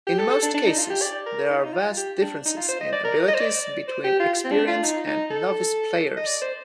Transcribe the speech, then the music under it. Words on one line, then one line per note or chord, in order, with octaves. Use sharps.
In most cases, there are vast differences in abilities between experienced and novice players.
G4
A4
A4
D4
D4
D#4
F4
G4
D5
A#4
D#4
F4
D#4
F4
G4
D4
D#4
F4
C5
D#5
D5
A#4
D#5
C5
D5
C5
G4
F4
C4
D4
F4
D#4
D#4
A4
D#5
D5
C5